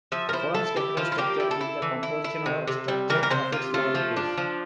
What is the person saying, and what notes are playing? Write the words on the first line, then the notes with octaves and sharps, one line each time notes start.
A firm's capital structure is the composition or 'structure' of its liabilities.
F3 E5
A#4
E4 C5
E4 A4
E4 G4
F3 F4
F4
A#3 G4
E4
A4
E4
E3
E4
E4
C3
C3
G3
E3 A#4
A#4
C3 C5
C3 F4
A3 F4
F3
D4
F3